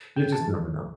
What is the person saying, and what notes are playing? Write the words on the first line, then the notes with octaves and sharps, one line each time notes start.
you just never know.
C#3 G5
A5
E3